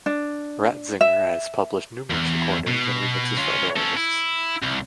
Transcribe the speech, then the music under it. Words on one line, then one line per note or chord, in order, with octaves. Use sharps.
Ratzinger has published numerous recordings and remixes for other artists.
D4
E5
E2
B2
C#4 F4
C#4 A4
E4
C2